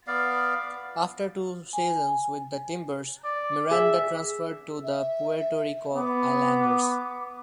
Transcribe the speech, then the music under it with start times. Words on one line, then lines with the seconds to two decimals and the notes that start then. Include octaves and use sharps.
After two seasons with the Timbers, Miranda transferred to the Puerto Rico Islanders.
0.07 B3 D5 F5
1.73 G#5
3.24 D5
3.71 G#4 E5
4.84 E5
5.96 B3 D6